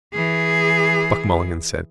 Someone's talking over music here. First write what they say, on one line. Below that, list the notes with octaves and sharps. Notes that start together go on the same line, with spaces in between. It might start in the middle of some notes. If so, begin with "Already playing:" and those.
Buck Mulligan said.
E3 G#4